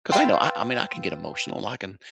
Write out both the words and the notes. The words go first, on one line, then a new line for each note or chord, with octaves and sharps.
'cause I know, I I mean, I can get emotional, I can
B4 F5 G5 C6 E6 A6